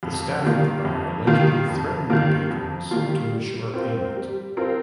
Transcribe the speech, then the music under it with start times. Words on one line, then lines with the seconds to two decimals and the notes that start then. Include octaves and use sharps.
The staff at the bar allegedly threatened the patrons to ensure payment.
0.03 F2
0.44 D#3 G3 A#3 F4
0.85 F2
1.27 D#3 G3 A#3 F4
1.68 F2
2.10 D#3 G3 A#3 F4
2.51 F2
2.91 D#3 G3 A#3 F4
3.33 G3
3.74 C4 F4 A#4
4.16 G3
4.57 C4 F4 A#4